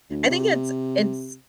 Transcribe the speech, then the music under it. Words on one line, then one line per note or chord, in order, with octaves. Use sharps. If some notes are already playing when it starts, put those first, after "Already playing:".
I think it's and s
D2
C3